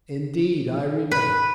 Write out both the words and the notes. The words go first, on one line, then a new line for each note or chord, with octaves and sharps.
"Indeed I remember."
B4